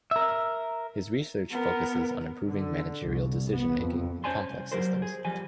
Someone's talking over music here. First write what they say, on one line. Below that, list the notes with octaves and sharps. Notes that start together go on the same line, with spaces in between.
His research focuses on improving managerial decision making in complex systems.
A#4 E5
B3 A#4
D3
C2
B3
F2
C#4 C5 D5 G#5 A5 C6
C2
F#3 G3 G4 A#4 C5
G#4
F3 G3 G#5